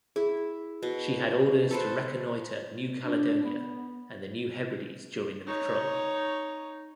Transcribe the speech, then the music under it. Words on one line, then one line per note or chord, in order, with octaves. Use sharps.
She had orders to reconnoiter New Caledonia and the New Hebrides during the patrol.
E4 G#4
B2
A4 B4 C5
D4
B3
D#4 C#5